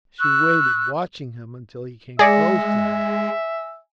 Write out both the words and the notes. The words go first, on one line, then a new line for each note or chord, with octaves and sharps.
She waited, watching him, until he came close to her.
C#6 E6 F#6
G#3 G#4 D5 E5 G#5 A#6 C#7